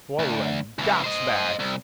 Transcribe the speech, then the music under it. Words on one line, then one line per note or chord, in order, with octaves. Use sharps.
Swollen gas-bags!
D2
C#2 E3
C5 D#5
C2